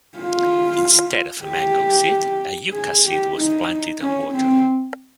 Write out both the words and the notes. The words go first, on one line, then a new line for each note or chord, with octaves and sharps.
Instead of a mango seed, a yucca seed was planted and watered.
F4
G4
G#4
G4
D#4
C#4
C4